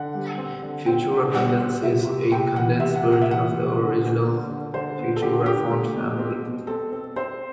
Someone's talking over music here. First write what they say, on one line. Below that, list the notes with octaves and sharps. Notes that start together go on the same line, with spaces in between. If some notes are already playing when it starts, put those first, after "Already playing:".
Futura Condensed is a condensed version of the original Futura font family.
Already playing: D3 F#5
G3
C4
D3
C4 G5
D3
G3 F#5
C4
C3 E5
C3
C3 G5
E3 F#5
C3 E5
F#5
C3
F#5
E5
E3 F#5
C3
D3
B3
D3
D3
D3 C5
B3
A4
D3 G4
D3 G4
A3
B2
C4
B2
C4 A4
C4
C4 C5